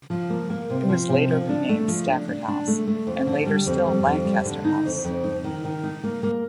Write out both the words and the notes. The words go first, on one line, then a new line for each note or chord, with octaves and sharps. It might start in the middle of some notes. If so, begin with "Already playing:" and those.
It was later renamed Stafford House, and later still Lancaster House.
F3
A#3
A#3
C3
F3
C3
F3
D4
A3
F3
D4
D4
D4
A3
A3
F2
D3
G3
F2
G3
F2
G3
D3
D#4
F2
F2
D#4
D#3
D#3
D#4
A#3
A#3